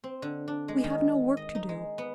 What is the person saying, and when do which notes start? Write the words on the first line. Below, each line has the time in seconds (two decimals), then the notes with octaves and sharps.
We have no work to do.
0.04 C4
0.22 D3
0.48 D4
0.68 G#3
0.84 D#3
1.37 D#5
1.55 D#4
1.69 G#3
1.98 B3